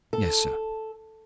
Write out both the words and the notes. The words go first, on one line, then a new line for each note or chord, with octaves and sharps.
"Yes, sir."
A4